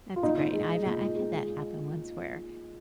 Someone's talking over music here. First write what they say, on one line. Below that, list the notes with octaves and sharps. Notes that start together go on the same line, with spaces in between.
That's great. I've, uh, I've had that happen once where,
F4
A#2 D#4
G#3
A#2
G#3